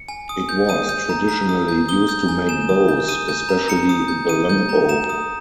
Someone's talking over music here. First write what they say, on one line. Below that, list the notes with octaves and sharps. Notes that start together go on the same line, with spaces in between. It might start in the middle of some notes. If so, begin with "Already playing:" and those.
It was traditionally used to make bows, especially the longbow.
Already playing: C#7
G#5
D#6
G6
D#6 D#7
G6
A#5
A#5
D#6
G6
D#6 G7
G6
G#5
G#5 E7
D#6
G6
D#6 D#7
G6
A#5
A#5 C#7
D#6
G6
D#6 D#7
G6
A#5
A#5 E7
D#6